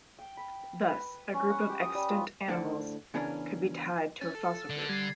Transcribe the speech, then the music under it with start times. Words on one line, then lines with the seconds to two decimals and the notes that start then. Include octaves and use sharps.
Thus, a group of extant animals could be tied to a fossil group.
0.19 G5
0.37 B5
0.87 B4
1.34 C#4
1.50 F#5
1.69 G4
1.81 D#6
1.94 G3
2.10 F4
2.48 A2 D3 C5 D5 F#5
3.14 C#3 E3 B3 C#4 D4 A#4
4.21 C#4 A6
4.35 A4
4.70 D3
4.89 G3 G#6 C7